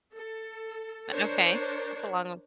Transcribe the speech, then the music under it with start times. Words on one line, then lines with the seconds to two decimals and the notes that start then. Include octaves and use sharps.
Eh okay, that's a long
0.14 A4
1.12 D4 A#4 C5 C#5